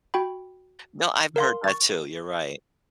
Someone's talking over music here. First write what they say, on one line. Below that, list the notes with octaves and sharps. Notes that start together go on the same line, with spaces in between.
No, I've heard that too, you're right.
F#4 G5 B5
A#4 F5 C6
C#6 A6